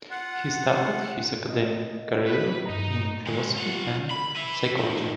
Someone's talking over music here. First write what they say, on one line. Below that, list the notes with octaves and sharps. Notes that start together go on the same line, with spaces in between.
He started his academic career in philosophy and psychology.
F4 F#5
D#5
A2 B4
G2 D#4 A#5
D#3 G#3
F4 F#5
B5
B4 E5
D#3 F3